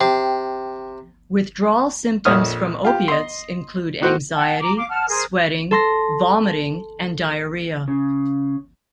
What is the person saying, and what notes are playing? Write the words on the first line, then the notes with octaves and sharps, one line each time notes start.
Withdrawal symptoms from opiates include anxiety, sweating, vomiting, and diarrhea.
C3 G5
A#1 F2 C#5 D#6 F6
F4 G4
D#5 C6
A2 F#4 C5
F#5 G5 A5
A#5 D6
F5 D6
F#5 A5 F6
G#4 A#4 C5
A4 C6 A#6
C#3